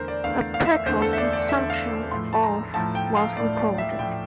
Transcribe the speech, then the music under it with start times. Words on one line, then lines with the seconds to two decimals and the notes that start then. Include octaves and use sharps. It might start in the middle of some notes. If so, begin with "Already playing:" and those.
A petrol consumption of was recorded.
Already playing: E2 D3 A3 A#4 C5
0.08 D5
0.24 E2 D3 A3 F5
0.54 F5
0.65 E5
0.86 E2 D3 A3 C5
1.02 A4
1.13 E5
1.18 D5
1.33 D5
1.49 E2 D3 A3 E5
1.70 F5
2.11 A2 F3 A3 C6
2.33 A5
2.43 A#5
2.74 A2 F3 A3 A5
2.95 G5
3.16 F5
3.36 A2 F3 A3 D5
3.57 D5
3.78 E5
3.99 A2 F3 A3 G5